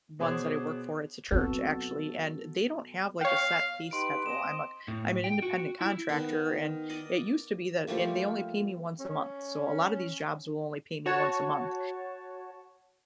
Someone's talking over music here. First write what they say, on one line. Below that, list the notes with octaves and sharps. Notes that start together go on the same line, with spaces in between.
ones that I work for, it's a church, actually- and they don't have, like, a set pay schedule, I'm a c I'm an independent contractor and, it used to be that and they only pay me once a month. So, a lotta these jobs will only pay me once a month,
B2 B3 G#4 C5 C#5 D6
B3 C4 F#4 A4
C#5 F5 G5
D#4 G4 B4 C6 D7
C4 D#5 E7
A2
G5
F#4
E4
D#3 B3
D5 D#5
F3 G3 A3 A#3
C#4
F#4 C#5 A5